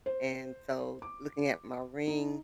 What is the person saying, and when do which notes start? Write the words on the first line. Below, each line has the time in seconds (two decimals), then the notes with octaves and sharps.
and so, looking at my ring
0.06 C5
1.02 D6
2.08 D#4